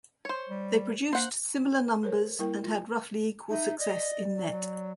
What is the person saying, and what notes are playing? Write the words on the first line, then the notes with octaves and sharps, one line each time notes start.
They produced similar numbers and had roughly equal success in net.
C5 C#5
G3
A#3 C5 F#5
A4 A#4 C5 C#5
G3 A#3 E4 A#4 G5
F4
D#4 E5
D5 D#5
F#3
F#3